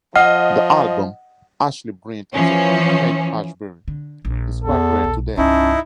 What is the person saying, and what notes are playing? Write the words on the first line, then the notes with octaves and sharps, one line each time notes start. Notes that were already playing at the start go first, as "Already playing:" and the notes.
The album, "Ashleigh Brilliant in the Haight-Ashbury", is quite rare today.
F3 D#5 F#5 F6
E3 F3 C#4
D3
A#1
E2 A4
B1
C2 G2 C#4 D#4 E4 A5